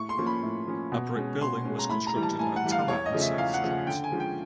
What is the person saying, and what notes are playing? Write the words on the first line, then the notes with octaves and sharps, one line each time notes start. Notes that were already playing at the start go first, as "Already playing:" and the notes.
A brick building was constructed at Tanner and South streets.
Already playing: A2 C#6
C6
F3 A#3 C#4
B5
A2
F3 A#3 C#4
B2
G#3 C#4
B2 C6
G#3 C#4
A#5
A2 B5
A#5
E3 G3
A5
A2 G#5
F#5
E3 G3
F5
E2 C#5
D#5
C#3 F3 A3 C#4
E5
E2 F5
F#5
C#3 F3 A3 C#4
F#5
D3 G5
G#5
F3 G#3 C#4
G5